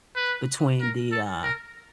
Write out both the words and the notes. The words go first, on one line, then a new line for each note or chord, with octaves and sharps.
between the, uh,
B4
A#4
A4
A#4